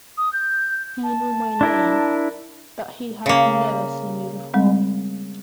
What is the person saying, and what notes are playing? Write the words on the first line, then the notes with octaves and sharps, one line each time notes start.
He knew my name, but he had never seen me before.
D#6
G6
A5
D4 E4 A#4
C#3 A#3
G3 G#3 C4